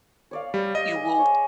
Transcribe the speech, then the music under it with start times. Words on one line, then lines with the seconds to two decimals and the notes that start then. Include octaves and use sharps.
you will,
0.31 C#5 D5 F5
0.54 G3
0.75 D#5
0.96 G#4
1.19 C#5